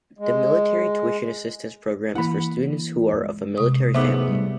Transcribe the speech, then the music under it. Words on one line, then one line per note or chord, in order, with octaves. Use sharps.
The military tuition assistance program is for students who are of a military family.
G#3
E3 A#3 E4 F#5 B5
G#3
C3 D#6
B1 A3 B3 D#4 G#4 C5 E5 D6
G3